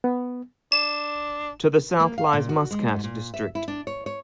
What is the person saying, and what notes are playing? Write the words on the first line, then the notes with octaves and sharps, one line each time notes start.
To the south lies Muscat District.
B3
D4 E7
A#3
F5
A#2
F#4
G#3
G#2
A#2
E5
E4
D4
C#5
C#5